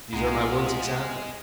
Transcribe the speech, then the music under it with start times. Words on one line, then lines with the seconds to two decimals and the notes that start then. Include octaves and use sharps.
"These are my words exactly."
0.13 C2 G#3 B3 F4 A#5